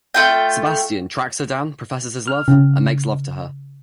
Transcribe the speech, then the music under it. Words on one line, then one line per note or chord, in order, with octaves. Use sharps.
Sebastian tracks her down, professes his love, and makes love to her.
A3 F4 G5
F6
C#3